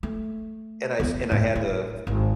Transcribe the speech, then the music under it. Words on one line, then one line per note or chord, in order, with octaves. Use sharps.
and I s and I had to
A3
E2 E4
A2
E4
G#1